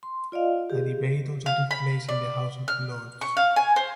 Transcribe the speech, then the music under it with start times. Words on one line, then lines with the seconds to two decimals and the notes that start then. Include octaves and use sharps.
A debate also took place in the House of Lords.
0.03 C6
0.32 F4 D5 D#5 F5
0.70 G4 G#4
1.46 F5
1.71 B5
2.09 D5
2.68 F6
3.21 C#6
3.37 F5
3.56 G#5
3.76 C5